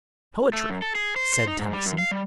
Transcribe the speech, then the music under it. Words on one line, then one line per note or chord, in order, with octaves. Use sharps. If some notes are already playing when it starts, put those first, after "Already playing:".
"Poetry," said Tennyson.
A3
F#2
A4
G#4
C5
C5
D#4
G#2
G3
F#2
F5
G3